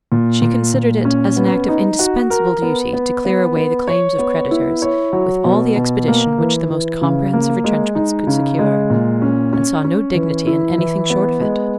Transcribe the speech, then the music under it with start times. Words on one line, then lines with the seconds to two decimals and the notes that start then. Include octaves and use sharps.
She considered it as an act of indispensable duty to clear away the claims of creditors with all the expedition which the most comprehensive retrenchments could secure, and saw no dignity in anything short of it.
0.12 A#2
0.42 A#2
0.74 A#2
1.05 C#4
1.37 B3
1.68 D#4
1.99 F#4
2.30 A#4
2.62 B3
2.93 B3
3.25 B3
3.56 B3
3.88 C#5
4.18 B3
4.51 E4
4.82 C#5
5.13 F#3
5.44 B2
5.76 B2
6.08 A#3
6.38 E3
6.70 E3
7.01 C#3
7.33 A#3
7.64 G#3
7.95 D#4
8.27 C#3
8.59 G#3
8.90 A#2
9.22 C#4
9.53 C#4
9.84 C#4
10.15 E3
10.47 E4
10.78 E3
11.10 B3
11.41 G#3